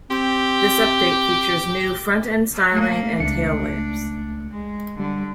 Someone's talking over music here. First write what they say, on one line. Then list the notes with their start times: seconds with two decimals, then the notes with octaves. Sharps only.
This update features new front-end styling and tail lamps.
0.11 C4 G4
2.71 A3 A#3
3.20 C#2 A3 D4 C#7
4.52 G#3
5.00 D3 G3